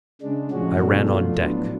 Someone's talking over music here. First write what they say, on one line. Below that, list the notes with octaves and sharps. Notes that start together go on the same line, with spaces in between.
I ran on deck.
C#3 G#3 D4
A2 F3 G#3 C#4 F#4
B2 F#3 A3 D4
F3 A3 F4
A2 F#3 B3 D4